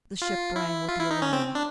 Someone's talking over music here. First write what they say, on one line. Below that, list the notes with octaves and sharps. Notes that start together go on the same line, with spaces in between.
The ship rang with the alarm.
F4
E4
F4
E4
D#4
C#4
C4
D4